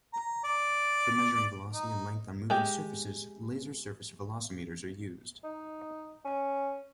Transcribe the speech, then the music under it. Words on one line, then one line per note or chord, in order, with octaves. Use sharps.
For measuring velocity and length on moving surfaces, laser surface velocimeters are used.
A#5
D5
D#4
G#3 G4
D#4
C#4